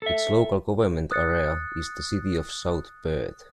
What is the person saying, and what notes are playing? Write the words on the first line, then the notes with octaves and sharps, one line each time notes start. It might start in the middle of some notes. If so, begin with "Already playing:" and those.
Its local government area is the City of South Perth.
A4 E5
D#6 F#6 A6 C#7